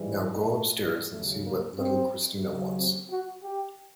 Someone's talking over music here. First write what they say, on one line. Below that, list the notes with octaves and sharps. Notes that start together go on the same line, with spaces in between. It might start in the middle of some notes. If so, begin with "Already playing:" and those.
Now go upstairs and see what little Christina wants.
Already playing: G#2 E3 G3
A3
D#2 C#3 F#3 A3
A#3
C4
D#2 C#3 F#3
C4
F#4
G4